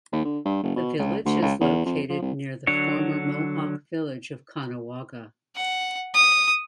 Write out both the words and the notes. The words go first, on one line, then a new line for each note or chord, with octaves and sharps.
The village is located near the former Mohawk village of Caughnawaga.
D#2
D3
G2
F#1
B2
C#2
D2
C#2
E2
F2
F3
C2
D3 F#3 D4 C#5
F#5
D#6